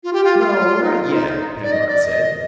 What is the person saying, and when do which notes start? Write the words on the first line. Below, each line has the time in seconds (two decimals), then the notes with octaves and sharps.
"No; not yet," Penrod said.
0.04 F4
0.13 G4
0.24 F4
0.39 F4
0.83 D#4
0.93 F4
1.04 F4
1.13 D#4
1.63 D5
1.72 D#5
1.88 D5
2.03 D#5